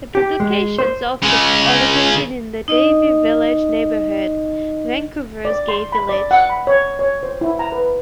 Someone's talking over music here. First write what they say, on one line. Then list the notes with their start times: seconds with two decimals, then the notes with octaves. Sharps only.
The publication's offices are located in the Davie Village neighbourhood, Vancouver's gay village.
0.15 G4
0.40 G#3
0.79 C5
1.22 C#3 G#3
2.68 D#4 D#5
5.45 D5
5.68 C6
5.92 B5
6.09 D5
6.31 F#5
6.50 B5
6.67 C#5
6.99 C#5
7.23 C5
7.41 E4
7.59 A#5
7.72 B4